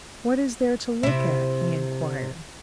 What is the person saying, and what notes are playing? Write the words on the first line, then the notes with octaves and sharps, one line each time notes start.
"What is there to look at?" he inquired.
C3 E4